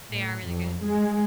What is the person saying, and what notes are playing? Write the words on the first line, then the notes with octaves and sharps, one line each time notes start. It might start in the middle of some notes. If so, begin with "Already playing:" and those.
They are really good.
A2
F2
G#3